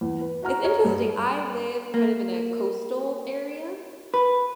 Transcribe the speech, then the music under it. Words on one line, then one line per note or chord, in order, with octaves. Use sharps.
It's interesting, I live kind of in a coastal area,
E2
B4
F#4 F#5 A#5 F6
G#4 C#5 A#5
G2
A#3
B4